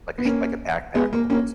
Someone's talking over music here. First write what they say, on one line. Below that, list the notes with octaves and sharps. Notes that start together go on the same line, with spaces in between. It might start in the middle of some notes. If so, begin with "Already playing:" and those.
like a like a backpack almost.
B3
A#3 C#4
G#3 B3
A#3
A#3 C#4